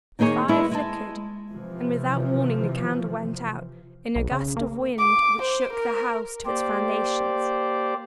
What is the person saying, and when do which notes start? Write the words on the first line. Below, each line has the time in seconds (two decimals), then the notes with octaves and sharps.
The fire flickered and without warning the candle went out, in a gust of wind which shook the house to its foundations.
0.19 D#3 A#3 D#4 G#4 C#5
0.48 G#3 B3 E4
0.71 G#3 A5
1.50 C3 E3 F3
4.15 B1
4.31 C#3
4.57 A#3
4.99 D6
5.42 C5
5.73 A#4
6.46 A#3 G4 C5 D5